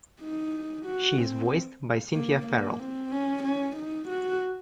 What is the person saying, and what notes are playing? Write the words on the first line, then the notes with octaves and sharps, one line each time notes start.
She is voiced by Cynthia Farrell.
D#4
F#4
C4
A#3
A#3
C4
C#4
C#4
D#4
F#4